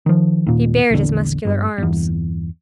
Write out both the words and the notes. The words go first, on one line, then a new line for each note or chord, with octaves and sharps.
He bared his muscular arms.
D#3 F3
D#2 A#2
A#1 E2 D3
G1 G2
G1 E2